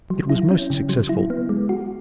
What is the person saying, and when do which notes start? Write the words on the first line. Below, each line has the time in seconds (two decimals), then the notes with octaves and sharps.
It was most successful.
0.10 F#3
0.29 E4
0.51 C#4
0.70 C#3
0.89 F#3
1.09 E4
1.30 B3
1.49 G#3
1.69 F#4